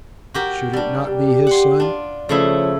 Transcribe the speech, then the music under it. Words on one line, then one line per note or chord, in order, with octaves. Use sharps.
Should it not be his son?
F#4 G4 A#4
G3 D4
G4
F#5 C6
D4 F4
C#3 F3 A3 E4 C#5